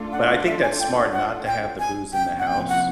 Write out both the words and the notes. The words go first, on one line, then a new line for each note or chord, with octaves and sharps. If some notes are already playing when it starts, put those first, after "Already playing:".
But I think that's smart not to have the booze in the house.
Already playing: A3 D4 F4 A4
F#5
F5
E5
G#5
G5
F#5
G5
G#5
C3 F3 A#3 C#4 E4 G5
F#5
G5
F#5